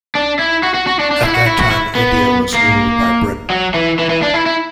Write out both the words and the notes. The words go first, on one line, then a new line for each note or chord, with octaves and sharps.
At that time India was ruled by Britain.
D4
E4
F#4
F#4
F#4
D4
D4
E4
F#4
E4
F#4
E4
B3
A#3
F#3
E3
E3
E3
D4
E4
E4